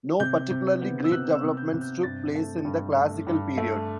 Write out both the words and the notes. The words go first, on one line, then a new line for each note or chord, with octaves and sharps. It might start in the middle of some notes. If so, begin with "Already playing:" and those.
No particularly great developments took place in the Classical Period.
C3 G6
C3
B3
E6
C3 F#6
E6
C3
G6
C3
G6
G2 A6
A3
G2
A3
G2
A3